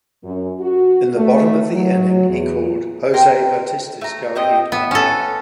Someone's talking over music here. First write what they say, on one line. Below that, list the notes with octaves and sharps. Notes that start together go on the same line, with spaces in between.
In the bottom of the inning, he called Jose Bautista's go-ahead home run.
F#2
F#4
A3
F#3
E2
A#4 G5 C6
A3 A#5
C4 G4 D#5
B3 A4 E5
C#4 A4 A5 E6